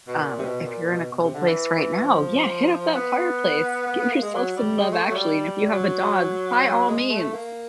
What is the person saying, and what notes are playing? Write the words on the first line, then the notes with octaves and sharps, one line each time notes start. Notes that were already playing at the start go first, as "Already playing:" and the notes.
um, if you're in a cold place right now, yeah, hit up that fireplace, give yourself some Love Actually, and if you have a dog, by all means,
B2
A#2
C3
B2
A#2
B2
B2
C3
D3
E3
F3
B3
B3
B3
A#3
G#3
F#3
G3
G#3
A3
A3
F#3
G3
F#3
F#3
G#3
A3
A#3